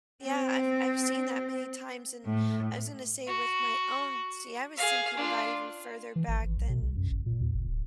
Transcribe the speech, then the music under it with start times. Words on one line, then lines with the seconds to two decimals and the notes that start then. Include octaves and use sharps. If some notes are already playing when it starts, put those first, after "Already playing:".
Yeah, I've I've seen that many times, and I was gonna say with my own See, I was thinking about even further back than
0.25 C4
2.26 A2
3.27 F#4
4.77 G#4 F5
5.17 D4 F4
6.16 E3
6.28 G#1
6.45 G#1
6.57 B1
6.69 B2
6.82 C2
6.96 F#2
7.11 G1
7.26 A#2
7.41 D#2
7.54 F#1
7.67 D1